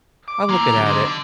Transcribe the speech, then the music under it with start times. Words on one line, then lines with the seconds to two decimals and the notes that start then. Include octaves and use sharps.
I'm looking at it.
0.28 D6
0.49 F3 G#3 A#3 E4 A#4
0.73 D3 F#3 G4
0.86 C4 D#4
1.05 D3